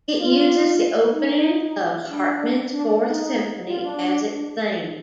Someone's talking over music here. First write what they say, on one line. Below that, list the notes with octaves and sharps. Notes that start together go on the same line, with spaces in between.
It uses the opening of Hartmann's Fourth Symphony as its theme.
F4
D#4
D4
D4
D4
D#4
F4
D4
D4